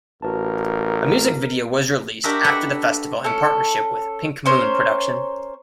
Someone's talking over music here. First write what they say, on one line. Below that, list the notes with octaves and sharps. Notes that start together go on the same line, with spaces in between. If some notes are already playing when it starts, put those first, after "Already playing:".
A music video was released after the festival in partnership with "PinkMoon" production.
A1 F#4 A#4 B4 A5
D4 F#4 G4 A#4 D#5 E5
A4 B4 E5 F#5
C#4 A4
C#4 A#4 C5 C#5